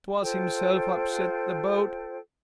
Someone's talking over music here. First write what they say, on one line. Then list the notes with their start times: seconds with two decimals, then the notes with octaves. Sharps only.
'Twas himself upset the boat.
0.21 F4 A4 C5 G5